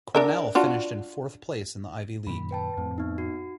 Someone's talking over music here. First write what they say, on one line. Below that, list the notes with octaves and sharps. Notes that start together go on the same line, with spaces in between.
Cornell finished in fourth place in the Ivy League.
D4 A#4 E5
D4 F4 F#4
F#2 A#2 D#3 B5
B4 G5 A5
F2 A2 C4
B3 D#4
F#4